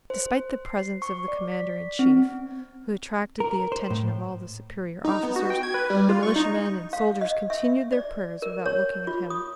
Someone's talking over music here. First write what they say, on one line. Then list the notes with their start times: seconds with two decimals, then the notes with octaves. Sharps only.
Despite the presence of the commander-in-chief, who attracted the attention of all the superior officers, the militiamen and soldiers continued their prayers without looking at him.
0.10 C5
0.65 C7
1.02 C#6
1.28 D5
1.52 B6
1.99 C4
3.40 A#4
3.72 C5
3.90 A2
5.04 D#4
5.23 B3
5.36 F#4
5.50 G5
5.63 G#6
5.74 B4
5.90 G3
6.09 F4
6.23 C#6
6.36 D#4
6.93 F5
7.21 D#5
7.50 E5
7.93 D5
8.42 A#4
8.66 C#5
9.07 F4
9.30 D#6